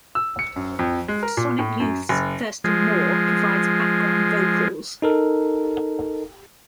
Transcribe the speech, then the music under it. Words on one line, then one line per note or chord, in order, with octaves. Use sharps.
Sonic Youth's Thurston Moore provides background vocals.
E6
C#7
F#2
F2
G#3
A#4
A#2
A2
F#2
F#1
F3 G#3
D#4 A4 A#4